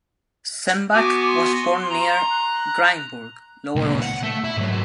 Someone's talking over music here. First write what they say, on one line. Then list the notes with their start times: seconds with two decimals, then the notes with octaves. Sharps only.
Sembach was born near Greinburg, Lower Austria.
0.94 B3 F#4 G#5 D6
1.27 C6
1.90 A#5
2.30 F#6
3.76 C#2 A#2
4.02 F#5
4.23 A3
4.44 E4
4.57 G#2 F#3